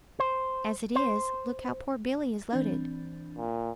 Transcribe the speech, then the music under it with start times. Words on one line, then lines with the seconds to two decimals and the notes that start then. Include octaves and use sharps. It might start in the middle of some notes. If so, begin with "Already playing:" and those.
As it is, look how poor Billy is loaded.
0.20 C5
0.95 C5
2.53 E3 C4 D4
3.37 A#2